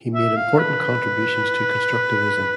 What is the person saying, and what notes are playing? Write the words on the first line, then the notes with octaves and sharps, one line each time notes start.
He made important contributions to constructivism.
E5
F5
B4